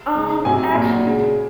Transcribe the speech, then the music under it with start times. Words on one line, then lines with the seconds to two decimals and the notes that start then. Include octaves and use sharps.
Um, it's actually
0.15 C#3 G#3
0.45 C3 F#3 G#5
0.75 A#2 F#3
1.05 C#3 G#3